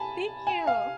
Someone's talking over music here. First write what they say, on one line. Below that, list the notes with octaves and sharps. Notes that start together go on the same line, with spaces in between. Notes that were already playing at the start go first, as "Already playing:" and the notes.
Thank you.
Already playing: G#5 A5 B5
G#5
F5